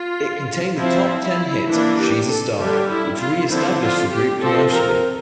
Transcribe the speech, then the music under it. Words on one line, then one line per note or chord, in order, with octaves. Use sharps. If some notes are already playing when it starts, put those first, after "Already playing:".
It contained the top ten hit "She's a Star" which re-established the group commercially.
Already playing: F4
F3 C4 E4
E4
E3 A#3 D4 E4
G4
A4
D3 G3 D4 G4
E4
F4
D3 F3 C4 E4
F4
G4
F3 C4 A4
A#4